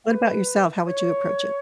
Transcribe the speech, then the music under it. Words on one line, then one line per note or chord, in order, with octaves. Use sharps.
What about yourself? How would you approach it?
B4
C#5